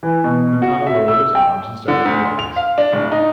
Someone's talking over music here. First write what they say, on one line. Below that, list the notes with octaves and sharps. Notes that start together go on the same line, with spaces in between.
Quintana lowered his arms and started to rise.
E3
B2
F#4
E5
E6
G5
D3
D2
C6
F7
F5
D4
D1
D#4